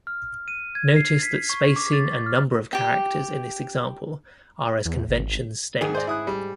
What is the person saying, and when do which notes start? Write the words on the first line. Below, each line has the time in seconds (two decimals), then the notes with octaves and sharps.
Notice that spacing and number of characters in this example are as conventions state.
0.07 F6
0.48 D#7
0.75 G#6
0.96 C7
1.23 B6
1.50 C#6
1.76 D6
1.93 A6
2.26 F6
2.73 G4 G5
4.85 E2
5.09 G#1
5.81 G#2 D#3 G#4
5.95 C5 D5
6.07 E4 D#6 F#6
6.27 G3